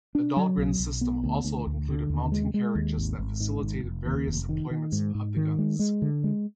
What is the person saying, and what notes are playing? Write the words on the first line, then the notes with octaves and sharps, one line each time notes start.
The Dahlgren system also included mounting carriages that facilitated various employments of the guns.
D4
F#3
B1
B1
B3
D2
D2
D2
D3
D#2
G#3
G#3
D#2
G#1
G#1
G#2
G#1
F1
D#2
F1
D#3
D#3
G#2
G#2
D#3
G#3
G#3
D3
G#3